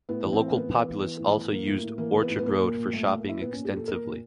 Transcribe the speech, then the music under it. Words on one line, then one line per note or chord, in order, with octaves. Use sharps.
The local populace also use Orchard Road for shopping extensively.
A2 B3
E3
C4
A2
A#3
E3 B3
E3
E3
E3
A2
E3
E3 A#3
A2
A2
E3 A#3
E3
B3
A2
B3
A#2 A#3
A#2
A#2
A#2 A3
A#2 A3
A#3
A#2 E4
A#2 B3
A#2 C#4
G4
A#2 A4
A#2 A#4
A#2